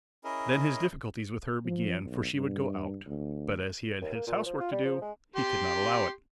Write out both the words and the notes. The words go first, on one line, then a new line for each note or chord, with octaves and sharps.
Then his difficulties with her began for she would go out, but as he had his housework to do, he could not allow it.
C#4 E4 G#4 A#4 D#5
F3
B1
G2
D2
D#2
A#3
A#2
F3
F4
G3
F3
G#3
G4 C6